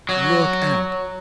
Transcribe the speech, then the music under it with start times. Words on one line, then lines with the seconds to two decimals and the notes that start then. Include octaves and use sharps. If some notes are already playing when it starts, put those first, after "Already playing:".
Look out!
0.09 F#3